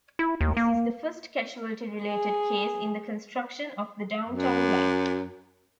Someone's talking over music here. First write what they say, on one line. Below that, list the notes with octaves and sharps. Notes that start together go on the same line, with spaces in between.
This is the first casualty related case in the construction of the Downtown Line.
E4
D#2
A#3
G#4
F#2